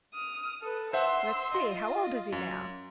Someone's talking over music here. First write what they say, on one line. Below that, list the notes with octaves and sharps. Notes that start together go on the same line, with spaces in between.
"Let's see--how old is he now?"
D#6 F6
A4 B4
C5 E5 F#5 C6 E6
F4 D#5 C6
F#2